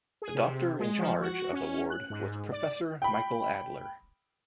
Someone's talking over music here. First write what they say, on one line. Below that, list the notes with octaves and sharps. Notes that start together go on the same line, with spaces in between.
The doctor in charge of the ward was Professor Michael Adler.
G#4
C3
G#3
F3
F#4
C#4
F#6
G#2
D5
G5 B5